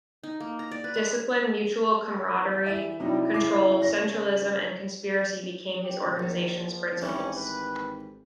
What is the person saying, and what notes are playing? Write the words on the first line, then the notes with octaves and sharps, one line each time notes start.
Discipline, mutual comradely control, centralism and conspiracy became this organization's principles.
D#4
A#3
A#5
D5
B4
G#3
E2
D2 E3 E5 D#7
C2 F2 C3 F#3 G3 D#4 E4
C#3 C#4 D6 C7
A#6
G4
A#1 D#3
F3
G#1 E3 G3 C#4
B4